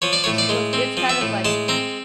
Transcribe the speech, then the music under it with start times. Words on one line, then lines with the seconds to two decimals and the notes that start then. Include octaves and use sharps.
She was it's kind of like
0.02 F3 C#5
0.13 D5
0.24 A2 C#5
0.38 D5
0.49 G#3
0.73 C4
0.97 F3
1.09 E5
1.21 A2
1.45 G#3 A5
1.68 C4 A#5